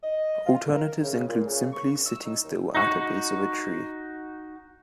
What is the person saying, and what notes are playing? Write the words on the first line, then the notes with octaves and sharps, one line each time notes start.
Alternatives include simply sitting still at the base of a tree.
D#5
F4
A#4
C#3
A#2
C#3
C#6
E6
D#4
D#2
D#4 F#4